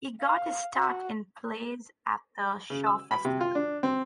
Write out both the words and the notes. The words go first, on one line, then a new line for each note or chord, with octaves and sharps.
He got his start in plays at the Shaw Festival.
F5
F#4
C#3
E6
B5
C3
F4
D4
C4